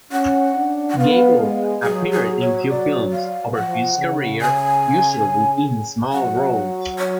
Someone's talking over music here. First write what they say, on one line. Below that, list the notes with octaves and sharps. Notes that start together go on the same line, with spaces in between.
Gabel appeared in few films over his career, usually in small roles.
C#4 F#5
D4
F#5
B3 F5
G#3
F#3 G#4
G#4
C#5
D5
F5
F3 F#5
C#3
G#5
F#3 F#5
C#5